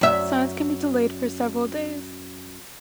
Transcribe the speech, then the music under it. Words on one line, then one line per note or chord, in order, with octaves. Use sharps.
Signs can be delayed for several days.
F#2 E5